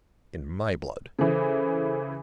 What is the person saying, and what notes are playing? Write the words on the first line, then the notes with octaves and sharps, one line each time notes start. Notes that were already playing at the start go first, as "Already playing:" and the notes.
In my blood!
C#3 E3 A4 C5